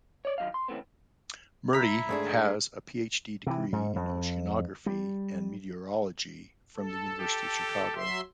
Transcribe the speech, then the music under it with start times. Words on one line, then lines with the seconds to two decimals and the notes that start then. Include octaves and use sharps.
Murty has a PhD degree in oceanography and meteorology from the University of Chicago.
0.25 C#5 D5
0.38 D#3 F#3 A#3 D#5 F5
0.54 C6
0.68 C#3 E3 A3 B3 C4
1.73 E4 A#5 B6
2.09 G#2 A3 D4 G#4
3.47 C3 E3
3.72 G#2
3.96 F2
4.86 G3
6.76 A4
7.20 G4
7.95 F#3 E5 C6